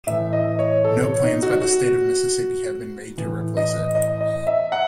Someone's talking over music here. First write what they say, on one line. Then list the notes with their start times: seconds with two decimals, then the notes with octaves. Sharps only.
No plans by the State of Mississippi have been made to replace it.
0.07 A2 E3 E5
0.33 D#5
0.59 C#5
0.84 A4
1.03 C#5
1.23 D#4
1.43 F#4
1.62 F#4
3.17 A2 E3
3.57 D#5
3.95 D#5
4.21 D#5
4.47 E5
4.72 F#5